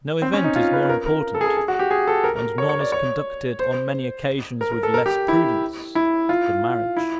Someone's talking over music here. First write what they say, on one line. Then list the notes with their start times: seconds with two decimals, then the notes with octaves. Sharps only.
No event is more important, and none is conducted, on many occasions, with less prudence, than Marriage.
0.22 C4
0.33 C#4
0.44 D#4
0.56 F4
0.73 B4
0.89 A#4
1.06 A#4
1.35 A4
1.41 G#4
1.46 A4
1.57 G#4
1.68 F#4
1.79 G4
1.91 G#4
2.08 A4
2.24 A#4
2.36 A#4
2.58 C#5
2.69 C#5
2.80 D5
2.92 C#5
3.59 C5
4.61 A#4
4.72 A#4
4.83 A4
4.94 A#4
5.06 G4
5.28 E4
5.95 E4
6.29 F4
6.97 E4